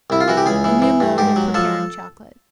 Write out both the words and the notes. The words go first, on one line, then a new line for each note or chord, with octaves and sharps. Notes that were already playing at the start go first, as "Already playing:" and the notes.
A New Mode of Preparing Chocolate.
C2 E4
F4
E3 F#4
G4
C#2 G#4
E3
E3
G2
G#2 G4
F#3
F3 A4